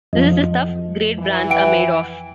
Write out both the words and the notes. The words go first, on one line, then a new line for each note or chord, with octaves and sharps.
This is the stuff great brands are made of.
F2 F3 D#5
E3
F#5 G5 D7